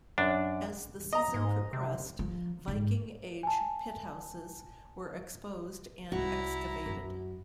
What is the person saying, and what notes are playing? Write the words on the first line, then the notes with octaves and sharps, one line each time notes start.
As the season progressed Viking Age pit houses were exposed and excavated.
F#2 D4
D#5 A#5
G#2
C3
F3
G#2
G#5 A5
C2 G3 E4 F#4 A#5
F#2 F#3